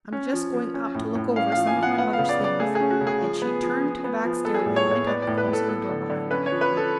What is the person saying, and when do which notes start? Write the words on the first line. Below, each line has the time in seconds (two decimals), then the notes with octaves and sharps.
"I'm just going up to look over some of my mother's things." And she turned to the back stairway, and went up, closing the door behind her.
0.13 C#4
0.33 F3
0.54 F3
0.74 C#4
0.95 A2
1.15 A2
1.36 C#4 F5
1.52 F3 F5
1.67 G#5
1.77 F3
1.83 F#5
1.98 B3 F#5
2.13 F5
2.19 C#3
2.29 D5
2.39 C#3
2.44 D5
2.60 A3 G#4
2.75 G#4
2.81 C#4
2.91 F#4
3.01 C#3
3.07 G#4
3.21 F3
3.42 B3
3.63 F3
3.83 F3
4.04 B3
4.25 F3
4.45 B3 A4
4.54 G#4
4.60 A4
4.66 A2
4.76 C#5
4.86 A2 C#5
5.07 B3 D5
5.22 D5
5.27 A2
5.38 B4
5.48 A2
5.53 A4
5.68 B3 A4
5.89 D3
6.10 D3
6.31 C#4 B4
6.46 C#5
6.51 F3
6.61 B4
6.72 F3
6.77 A4